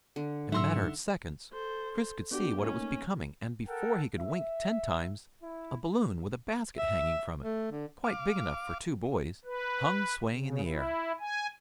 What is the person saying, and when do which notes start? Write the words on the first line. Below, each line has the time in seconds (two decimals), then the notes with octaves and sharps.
In a matter of seconds, Chris could see what it was becoming, and before he could wink ten times, a balloon with a basket hanging from it, quite big enough for two boys, hung swaying in the air.
0.16 D3
0.52 G#2 F#3 E5 F#5 A#5 C6 E6
1.52 A4 C5
2.31 B3 D4 F#4 G4
2.62 A3 A#3 C#4 D#4
3.67 A4 A#4 F#5 G5
4.18 E5
5.42 E4
6.78 E5
7.43 A3
7.72 D3
8.04 F5 D6
9.45 B4
10.33 C#3
10.65 E4
11.20 G#5